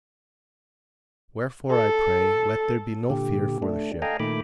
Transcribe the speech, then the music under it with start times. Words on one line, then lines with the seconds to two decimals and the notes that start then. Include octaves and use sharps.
Wherefore, I pray, let there be no fear for the ship.
1.71 A4
3.10 A#2 D3 G4
3.62 A3 D4
4.02 A4 D#5 F5 G5 G#5 A#5
4.20 A#2 D#3 A3 B5 D6